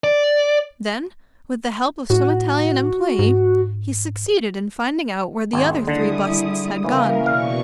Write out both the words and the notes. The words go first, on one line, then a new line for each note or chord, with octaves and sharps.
Then, with the help of some Italian employee, he succeeded in finding out where the other three busts had gone.
D5
A2 F#4
G#2
G#1 D#2 G#3
D3 G3 E4 D#6
C#3 E3 A#3 C#4 A#4
B2 D5 F5 C#6